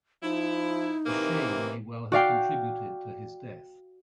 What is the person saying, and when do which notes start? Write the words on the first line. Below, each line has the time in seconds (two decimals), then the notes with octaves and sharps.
The shame may well have contributed to his death.
0.23 F3 D#4 E4
1.06 C3 D#3 E3 A#3
2.12 F#4 D5 F5 G5